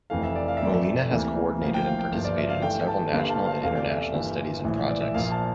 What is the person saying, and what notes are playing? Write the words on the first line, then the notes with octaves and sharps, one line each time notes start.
Molina has coordinated and participated in several national and international studies and projects.
F1 F2 E3 A3 F5
E5
D5
F5
E5
G1 F2 E3 A3 D5
E5
D2 C3 E3 A#3
A1 A2 F3 A#3 F5
G5
F5
G5
G1 G2 F3 A#3 F5
D5
E5
F5
G1 G2 E3 A3 G5
A5
G1 G2 D3 G3 A#3 F5
A5
F5
E2 C3 E3 A3 F5
D5
E5
E5
G1 G2 E3 A#3
A#1 A2 E3
D5
E5
A#1 A#2 F3 A#3 F5
A5